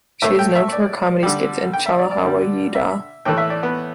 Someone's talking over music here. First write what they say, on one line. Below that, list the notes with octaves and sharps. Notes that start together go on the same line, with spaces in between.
She is known for her comedy skits in Chala Hawa Yeu Dya.
A2 A3 E5
G5
E5
D5
D3 G3
G5
E5
D5
D5
D3 G3
E5
A2 E3 A3 G5
E5
D5
B3